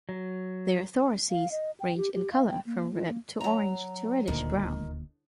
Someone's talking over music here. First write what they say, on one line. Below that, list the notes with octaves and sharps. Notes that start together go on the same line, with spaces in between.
Their thoraces range in color from red to orange to reddish brown.
F#3
F5
D#5
G5
G4
G4
F5
G5
A#3
F4
A#3
F#3 A#5
D#1 D2 A#2 D#3